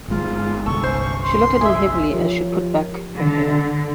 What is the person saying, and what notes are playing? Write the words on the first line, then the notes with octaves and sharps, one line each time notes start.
She looked at him heavily as she put back her hair.
G1 G#3 F4
G1 C2 A4 C#6
C#4 C5
C6
G#4 E5
F3 F4 G4 A#4 C#5
D3